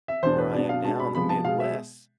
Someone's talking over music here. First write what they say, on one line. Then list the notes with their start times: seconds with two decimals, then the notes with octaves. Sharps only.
where I am now in the Midwest,
0.08 E5
0.23 E2 B2 B3 D4 C5
0.38 B4
0.53 B2 B3 D4 D5
0.69 F5
0.84 B2 G#3 D4 A5
1.00 B5
1.15 C3 F3 G#3 B3 B5
1.29 A5
1.45 B2 G#3 B3 F5
1.60 E5